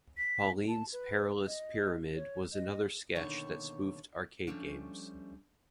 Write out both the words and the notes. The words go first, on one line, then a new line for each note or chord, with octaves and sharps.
"Pauline's Perilous Pyramid" was another sketch that spoofed arcade games.
B6
A5
B4
D#5
C#5
D#5
D#2 B2 D3 D#3 C#5 A5
F3 G3 A3 C#4 D4